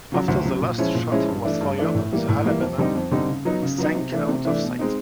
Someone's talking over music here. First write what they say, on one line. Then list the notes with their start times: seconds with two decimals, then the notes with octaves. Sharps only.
After the last shot was fired the "Alabama" sank out of sight.
0.12 C#3 F#3
0.28 D2
0.45 C#3 F#3
0.61 A#2
0.78 F3 G#3 C#4 E4
0.95 A#2
1.12 F3 G#3 C#4 E4
1.28 G2
1.45 E3 A3 D4
1.61 G2
1.78 E3 A3 D4
1.95 A2
2.12 E3 G3 A#3
2.28 A2
2.45 E3 G3 A#3
2.62 F2
2.78 D3 G3 C4 D#4
2.95 F2
3.11 D3 G3 C4 D#4
3.28 C#3
3.45 F#3 B3 D#4
3.62 C#3
3.78 F#3 B3 D#4
3.95 C3
4.12 E3 A3 D4
4.29 C3
4.45 E3 A3 D4
4.63 B2
4.79 G#3 C4 D#4